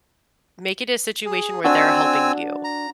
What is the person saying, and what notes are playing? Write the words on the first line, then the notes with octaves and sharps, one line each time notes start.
make it a situation where they're helping you.
G#4
C4 D4 F#4 G#5 E6
A#5